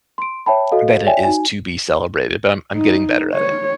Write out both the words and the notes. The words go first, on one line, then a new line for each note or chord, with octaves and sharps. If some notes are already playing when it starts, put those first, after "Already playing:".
than it is to be celebrated, but I'm I'm getting better at it.
C6 D7
C#5 E5 G5 A5 B5
F#4 A4 D#5 F5
C#5 D5 E5 G5 G#5
D#4 F#4 G#5
D#4
C#5